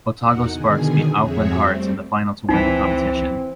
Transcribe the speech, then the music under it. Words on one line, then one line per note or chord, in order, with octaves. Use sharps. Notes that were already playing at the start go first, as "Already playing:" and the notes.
Otago Sparks beat Auckland Hearts in the final to win the competition.
E2 D#4 F#4 A#4 F#5
B2 D3 D#3 G#4 G#5
F2 C4 F#4 G#4 C#5 E5
G3 A3 C4
C#2 E3 C4 D#4